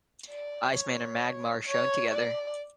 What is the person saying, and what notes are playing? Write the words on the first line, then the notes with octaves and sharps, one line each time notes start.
Iceman and Magma are shown together.
D5
C#5
C#5
D5